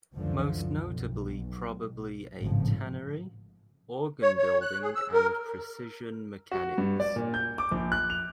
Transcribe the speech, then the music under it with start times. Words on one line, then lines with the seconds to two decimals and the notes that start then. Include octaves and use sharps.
Most notably probably a tannery, organ-building and precision mechanics.
0.16 C#2 F#2 D3 E3 F3
0.82 B1
2.41 G#1 A2 C#3 F3
4.22 C#5
4.38 C#5
4.62 F#6
4.82 G#4
4.95 E6
5.13 A#4
6.51 F#4
6.78 G2
7.00 D5
7.16 A#2
7.34 G6
7.58 D6
7.72 A#1
7.92 F#6
8.10 F7